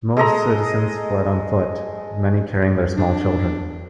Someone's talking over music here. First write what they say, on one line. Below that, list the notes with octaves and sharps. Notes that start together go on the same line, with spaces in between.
Most citizens fled on foot, many carrying their small children.
G#3 A4 D#5 A#5
D4